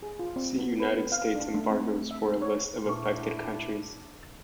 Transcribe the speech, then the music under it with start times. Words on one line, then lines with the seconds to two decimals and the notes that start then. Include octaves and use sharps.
See United States embargoes for a list of affected countries.
0.03 G#4
0.19 F4
0.36 C4
0.58 B3
0.80 B4
1.12 F5
1.35 D4
1.54 A3
1.70 C4
2.11 E5
2.42 C#5
2.86 A#2 D4 E4 B4 C#6